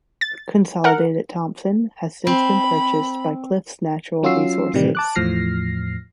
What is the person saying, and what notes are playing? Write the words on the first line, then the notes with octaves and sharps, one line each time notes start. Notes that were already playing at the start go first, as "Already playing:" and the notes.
Consolidated Thompson has since been purchased by Cliffs Natural Resources.
A6
A#4 F#5
C4 B5
F#3 C#4 F4 F#4 E6 C7
A2 C3 D#3 E3 G3
A5 D6 F#6
E2 A2 F3 F6 A#6 C7